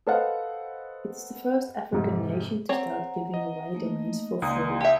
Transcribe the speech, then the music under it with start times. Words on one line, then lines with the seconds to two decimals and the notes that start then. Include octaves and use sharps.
It is the first African nation to start giving away domains for free.
0.07 A4 B4 C5 D#5 F5 F#5
1.92 F2 G#2 C3
2.69 C4 C#5 F#5 A#5
3.34 D#5
3.73 A3 A#3 D#4
4.42 C#2 A#3 D#4 D5 C6 D#6
4.81 G4 E5 A5